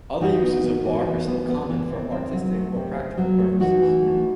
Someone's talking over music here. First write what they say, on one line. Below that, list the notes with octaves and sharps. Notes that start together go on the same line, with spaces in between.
Other uses of bark are still common for artistic or practical purposes.
E3 D#4 F#4
B3
B3
E3
E3
B3
B3
E3
C3
C4
F#3
A3
C3
C4
F#3
A3
E3 D#4 F#4
E3
A3